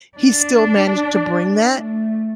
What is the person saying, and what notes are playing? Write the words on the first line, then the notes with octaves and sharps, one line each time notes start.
he still managed to bring that,
D4
A3